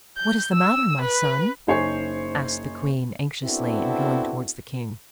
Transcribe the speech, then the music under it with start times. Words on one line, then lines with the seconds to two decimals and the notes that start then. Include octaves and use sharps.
"What is the matter, my son?" asked the queen, anxiously, and going towards the king.
0.17 G6
0.53 E6
1.01 B4
1.67 F#1 D#4 C5 C#5 G#5 C7
3.45 B3 C4 D4 E4 F#4 A4